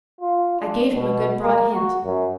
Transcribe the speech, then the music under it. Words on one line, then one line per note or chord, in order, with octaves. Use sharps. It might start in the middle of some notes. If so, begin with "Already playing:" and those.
I gave him a good broad hint.
F4
D4
B2
A#3
F#4
F#2